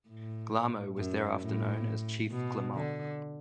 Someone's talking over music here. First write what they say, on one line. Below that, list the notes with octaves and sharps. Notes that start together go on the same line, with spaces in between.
Glahmo was thereafter known as Chief Clermont.
A2
F#2
A2
B2
D3